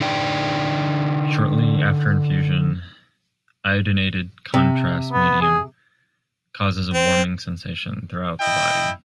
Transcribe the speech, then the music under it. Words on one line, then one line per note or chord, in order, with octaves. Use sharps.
Shortly after infusion, iodinated contrast medium causes a warming sensation throughout the body.
D3 D#4 D5 G5
C3
B3
G#4
C4
E4 D#5 G5